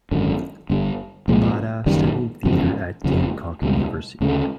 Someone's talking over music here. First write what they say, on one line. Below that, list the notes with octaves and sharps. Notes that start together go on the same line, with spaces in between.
Bada studied theater at Dankook University.
G#1 F#2 D3
G1 G2 D3
C2 A#2 F3 G#3
F#1 F#2 D#3 G3
E1 E2 C#3 F3
F#1 F2 C#3 F3
C#2 B2 G3
D2 C#3 F3 A3